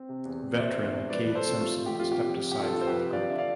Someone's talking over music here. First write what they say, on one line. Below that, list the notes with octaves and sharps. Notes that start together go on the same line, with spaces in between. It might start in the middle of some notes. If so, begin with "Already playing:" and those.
Veteran Kade Simpson stepped aside from the group.
Already playing: C4
C3
E2
C3
D5
C3 C5 E5
E2
E2
F3 B4 D5
F3 B4
A4 C5
C3
A3 F4
A3
G4
F2 F4
F2 G4
F3
C3
G4
C3 F4 A4
F3 C5
G4 B4
C3
F3 D5 F5
D3 E5
D5 F5